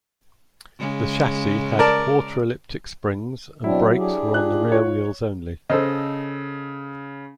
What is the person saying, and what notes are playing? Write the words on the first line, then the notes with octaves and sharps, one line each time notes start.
The chassis had quarter elliptic springs and brakes were on the rear wheels only.
C#3 G#3
A#4 D5 A5
B2 F#3 C4 D4 E4
D4 G4 G#4
F4 F#6
C#5
C#3 A4 C5 D#5